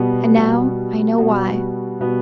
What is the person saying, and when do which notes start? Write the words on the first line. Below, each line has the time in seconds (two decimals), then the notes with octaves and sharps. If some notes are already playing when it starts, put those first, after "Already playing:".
And now I know why.
Already playing: B2 G3 B3 F#4
0.36 B2 G3 B3 F#4
1.18 B2 G3 B3 F#4
2.00 B2 G3 B3 F#4